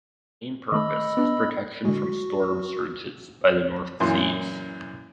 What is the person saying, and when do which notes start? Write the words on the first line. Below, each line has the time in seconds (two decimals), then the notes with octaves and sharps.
Its main purpose is protection from storm surges by the North Seas.
0.72 D#3 A3 D#5 B5 E6
1.17 B3 D4
1.85 D3 G#3 F#4
4.00 F#2 A#2 E3 C6